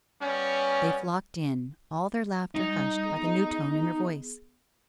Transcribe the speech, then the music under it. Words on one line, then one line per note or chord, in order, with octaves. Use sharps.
They flocked in, all their laughter hushed by the new tone in her voice.
G3 B3 C#4
G3 D#4
B3 G#4